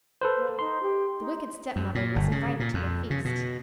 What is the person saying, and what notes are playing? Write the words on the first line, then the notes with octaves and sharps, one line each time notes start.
The wicked stepmother was invited to the feast.
A4 B4 C5
A#3
D#4 C6
G4
D#4
F#2
A#2
G1
C#3
A#2
F2
C#3
B2